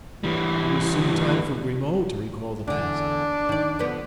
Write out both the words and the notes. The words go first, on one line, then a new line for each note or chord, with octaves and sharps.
It was soon time for Grimaud to recall the past.
E3 G3
E2 D3 D4
D#3 D5
D3 F3 B3